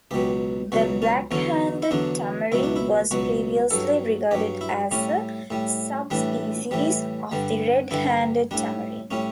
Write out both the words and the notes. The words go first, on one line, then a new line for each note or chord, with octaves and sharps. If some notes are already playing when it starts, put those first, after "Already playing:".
The black-handed tamarin was previously regarded as a subspecies of the red-handed tamarin.
C#2 B2 F#3 G4
C#2 B2 F#3 F#4
C#4
E2 D3 F#3 C#4
E4
E2 D3 F#3 D4
C#2 B2 F#3 E4
D4
E4
C#2 B2 F#3 F#4
G2 F#3 A4
G2 F#3 G4
E4
A2 G3 C#4
A2 G3
A2 E3 G3 D4
A2 E3 G3
G2 D3 G3
G2 D3 G3 E4
A2 G3 D4
A2 G3 C#4